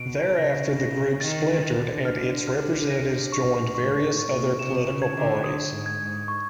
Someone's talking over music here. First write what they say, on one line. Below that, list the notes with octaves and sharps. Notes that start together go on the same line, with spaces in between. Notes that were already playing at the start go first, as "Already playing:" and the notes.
Thereafter the group splintered and its representatives joined various other political parties.
Already playing: B2 D7
C#3 A#6
A#6
D#3 A6
D#3
A6
D3
F6
F6
A#6
C#6
G#2 C#6
A2
C#6
A#2
C3 E7
C#3
G#6
D3
D#6
G#2
G#6
G#2
C#6